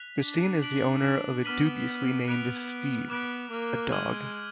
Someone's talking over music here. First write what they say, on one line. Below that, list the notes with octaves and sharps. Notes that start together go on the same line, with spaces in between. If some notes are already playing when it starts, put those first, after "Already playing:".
Christine is the owner of the dubiously named Steve, a dog.
Already playing: F#6 B6 F7
D4
F#6 B6 D7 F#7
B3 D6 F6 B6 D#7 F#7
B3 F#6 D7 F7
B3 D6 F#6 D7
A#3
G#3 F6 G#6 D#7 F#7